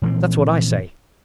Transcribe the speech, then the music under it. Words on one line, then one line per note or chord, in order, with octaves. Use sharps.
'That's what I say.
A#2 E3 F3 C4